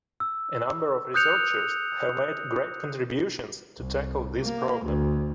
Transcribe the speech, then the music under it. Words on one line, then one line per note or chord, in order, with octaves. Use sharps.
A number of researchers have made great contributions to tackle this problem.
E6
D#6 F#6 G6 C#7 F7
C2
A#3
D2